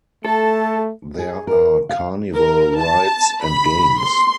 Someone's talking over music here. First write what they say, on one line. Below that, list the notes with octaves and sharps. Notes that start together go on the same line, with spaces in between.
There are carnival rides and games.
A3 A4 A5
G#4
A#4
F5
A#4
A5
B5
C6